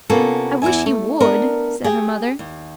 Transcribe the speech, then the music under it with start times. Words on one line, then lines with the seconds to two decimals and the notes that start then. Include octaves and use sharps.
"I wish he would!" said her mother.
0.10 C3 A#3 B3 C#4 F4 A4
0.62 E2 B3 E4 E5 G#5
0.86 A3
1.20 B3 D4 A#4
1.84 G4 G#4
2.39 D#2